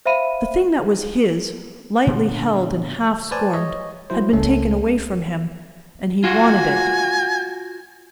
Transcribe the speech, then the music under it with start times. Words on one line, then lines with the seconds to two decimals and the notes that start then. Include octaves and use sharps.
The thing that was his, lightly held and half scorned, had been taken away from him, and he wanted it.
0.06 C5 E5 F5 B5 D#7
2.07 A#2 D3 B3 D4
3.31 B4 C5 D5 G#5 A5
3.54 C#5 D#5
4.10 F#3 E4 C5
4.33 C#2 A3 C#4 A4
6.24 F4 F#4 G#5